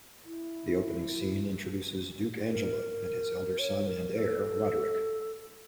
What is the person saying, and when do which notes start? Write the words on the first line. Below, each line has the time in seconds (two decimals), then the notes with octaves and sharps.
The opening scene introduces Duke Angelo and his elder son and heir, Roderick.
0.25 E4
2.47 A#4
3.59 C#5
3.87 A#4
4.14 A#4
4.18 A4